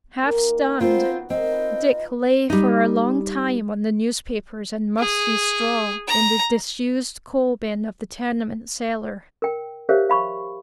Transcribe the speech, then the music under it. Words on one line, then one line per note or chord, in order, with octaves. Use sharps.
Half stunned Dick lay for a long time on the newspapers and musty straw in the disused coal bin of the tenement cellar.
D#3 A#3 D#4
B3 C4 F4 F#4 B4 C5
C4 D#4 A#4 D#5
F4 B4 A5
G3 D#4
G#4
A#5
A#4 G5
G4 A#4 C5 C#5 E5 F5
F5 B5 C#6